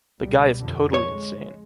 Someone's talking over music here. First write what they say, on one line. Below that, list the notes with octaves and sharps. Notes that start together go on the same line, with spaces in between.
The guy is totally insane.
C#2 B2 G3
F2 D3
G#3 C#5